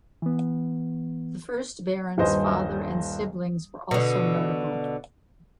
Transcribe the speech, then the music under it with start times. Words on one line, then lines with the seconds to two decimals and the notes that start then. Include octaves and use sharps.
The first Baron's father and siblings were also notable.
0.22 E3 B3
2.18 D#1 G2 B4 C5 D#5 G#5
3.91 B2 D3